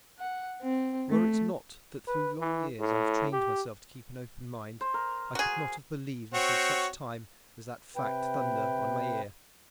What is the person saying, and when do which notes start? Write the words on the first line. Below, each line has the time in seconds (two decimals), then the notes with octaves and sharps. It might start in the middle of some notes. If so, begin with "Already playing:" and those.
Were it not that through long years I have train myself to keep an open mind, I could not have believe until such time as that fact thunder on my ear.
0.19 F#5
0.62 C4
1.10 A3
2.07 B4
2.40 E3
2.79 A2
3.33 G4
4.81 C5
4.94 A#4
5.35 F#4 G#4
6.34 C4 F#4 C#5
7.96 C3 B4 G5